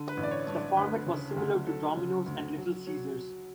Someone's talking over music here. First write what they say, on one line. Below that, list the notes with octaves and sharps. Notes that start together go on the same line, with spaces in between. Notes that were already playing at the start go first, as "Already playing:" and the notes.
The format was similar to Domino's and Little Caesars.
Already playing: D3
B4
A1
D5
C#5
G2
D5
D2 B4
C#3
D2
F#3 A4
C#3
D2
F#3
F#3